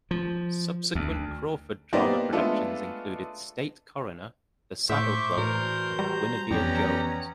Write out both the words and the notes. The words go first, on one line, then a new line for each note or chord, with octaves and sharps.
Subsequent Crawford drama productions included "State Coroner", "The Saddle Club", and "Guinevere Jones".
F3
D2
A#3 B3 D#4 G4 C5 D5
G#3 A3 B3 D4 F4 A4
A2 C5 E5 C#6 D6 G6
A2 E3 F#4 A#4 D5
G3 A#5
F2 E3 B3 C#4 G4 D5 G5